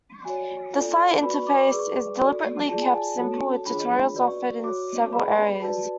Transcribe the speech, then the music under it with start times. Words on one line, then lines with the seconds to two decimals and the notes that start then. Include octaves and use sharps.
The site interface is deliberately kept simple with tutorials offered in several areas.
0.25 F#4 C#5 G#5
0.73 F4 A4 D5
1.23 F#4 B4 D5 B5
1.34 C#6
1.47 D6
1.59 C#6
1.69 G#4 B4 D5 D6
1.79 C#6
2.20 F#4 A4 D5
2.69 F4 G#4 D5 A5
2.82 G#5
2.96 A5
3.17 F#4 A4 C#5
3.66 D4 F4 G#4 C#5 B5
4.15 F#4 B4 D5
4.27 C#6
4.64 F#4 C#5 D6
5.12 G#4 B4 D5 B5
5.61 F#4 B4 D5 A5